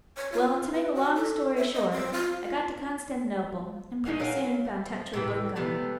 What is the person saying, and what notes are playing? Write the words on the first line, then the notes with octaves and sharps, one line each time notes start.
'Well, to make a long story short, I got to Constantinople, and pretty soon found touch with Blenkiron.
C#5
F4
B4
F#4
A4
E5
D#5
C4
F4
F4
D#3 G3 G#3 A#3
F#3 A#4 F5 G#5
A3
F3
A2 C3 E3 G5
C3 A3 B3 D4